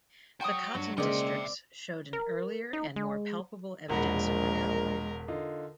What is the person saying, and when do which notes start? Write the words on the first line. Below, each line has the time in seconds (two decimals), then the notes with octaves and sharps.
The cotton districts showed an earlier and more palpable evidence of recovery.
0.41 F#4 C#5 G5 C6 D#6
0.75 G2 C#4
0.98 C#3 G#3 A#3 C4 C#4 D5 E5 G5
2.13 A#4
2.73 D#4
2.96 G#3
3.90 E1 A#1 G#3 A#4 F#5 B5
5.28 D3 D#4 F4